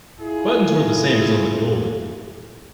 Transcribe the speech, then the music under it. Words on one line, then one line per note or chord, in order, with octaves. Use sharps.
Buttons were the same as on the dolman.
E4 F4 G#4